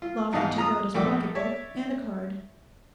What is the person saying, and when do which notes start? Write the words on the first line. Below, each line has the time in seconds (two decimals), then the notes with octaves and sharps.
Lawford took out his pocket-book and a card.
0.02 F4
0.32 E2 G#2 B2 D#5 F5 A5
0.56 F4 A#5 D#6
0.94 A#1 A3 F#4 D5 G5 D6
1.35 C#5 D5 E5